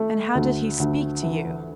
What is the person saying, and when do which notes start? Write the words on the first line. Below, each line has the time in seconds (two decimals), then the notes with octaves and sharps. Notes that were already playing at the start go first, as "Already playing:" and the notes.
'And how did he speak to you?'
Already playing: A3
0.35 D2
0.80 D2
1.23 E3